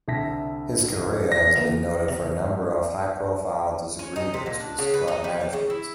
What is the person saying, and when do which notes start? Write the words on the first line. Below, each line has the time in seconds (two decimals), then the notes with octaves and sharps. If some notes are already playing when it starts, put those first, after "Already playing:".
His career has been noted for a number of high-profile disagreements with club management.
0.08 C2 D3 E5 A5 A#6 B6
1.32 A#6
1.56 D3 E3 A#3
2.09 C3
3.99 C#4
4.16 D#4
4.34 C3
4.46 A#2
4.60 D4
4.79 C#3
4.94 B4
5.08 D#4
5.24 G3
5.41 D4
5.53 C#3
5.70 E4